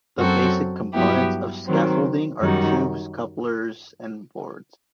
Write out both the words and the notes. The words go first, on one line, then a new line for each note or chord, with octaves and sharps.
The basic components of scaffolding are tubes, couplers and boards.
F#2 F#3 C4 F#4 A4
G2 F#3 B3 E4 G4
D#3 F#3 C4
F#2 D#3 G3 D#4 F#4